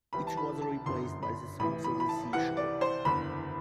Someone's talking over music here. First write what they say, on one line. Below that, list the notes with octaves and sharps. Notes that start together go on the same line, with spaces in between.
It was replaced by the "Songs of the Sea" show.
C2 C3 E3 B5
A5
B5
A5
G1 F#2 D3 C6
B5
A1 A2 E3 B5
B5
B5
A5
C2 C3 E3 F#5
D5
C5
F#1 E2 D3 B5